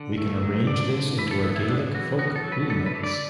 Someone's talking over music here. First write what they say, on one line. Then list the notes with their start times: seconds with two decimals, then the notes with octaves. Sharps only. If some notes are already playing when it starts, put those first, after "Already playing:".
We can arrange this into a Gaelic folk remix.
Already playing: D3
0.18 A3
0.42 F#3
0.67 D3 D5
0.92 D3
1.18 E3 B4
1.31 A4
1.44 B3 E4
1.56 E4
1.69 B3 D4
1.94 E3 F#4
2.19 B3 F#4
2.36 A4
2.44 F#3
2.52 B4
2.70 D3 A4
2.86 B4
2.95 D3
3.03 D5